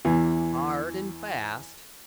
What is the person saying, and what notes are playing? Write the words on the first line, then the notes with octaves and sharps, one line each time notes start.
"Hard and fast."
E2 E3